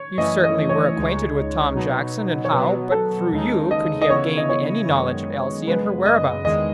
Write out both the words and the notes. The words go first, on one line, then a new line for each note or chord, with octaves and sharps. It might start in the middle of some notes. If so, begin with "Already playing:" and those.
"You certainly were acquainted with Tom Jackson, and how, but through you, could he have gained any knowledge of Elsie and her whereabouts?"
Already playing: C#5
F#2 E3 A3 C#4 E4 D#5
D#5
C#5
C#2 C#3 G#3 D#4
B2 F#3 B3 D#4
C#5
B2 F#3 B3 B4
A4
D#2 C#3 G#3 D#4
D#5
D#5
C#3 E3 B3 E4 C#5
D#5
C#5
F#2 D#3 G#3 B3
F#2 C#3 G#3 B3 B4
D#5
E2 D#3 G#3 D#5